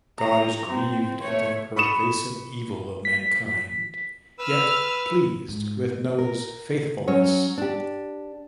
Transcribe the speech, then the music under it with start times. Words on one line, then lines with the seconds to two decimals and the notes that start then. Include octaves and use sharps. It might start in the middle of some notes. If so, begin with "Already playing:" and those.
God is "grieved" at the pervasive evil of mankind, yet "pleased" with Noah's faithfulness.
0.19 A#5
0.69 C4
1.23 A3 C#5
1.76 B5 C#6 D#6 C#7 E7
3.05 B6
4.39 B4 E6 F6
5.48 G#2
6.19 A#4
7.08 F#3 C#4 C#5
7.58 D4 G4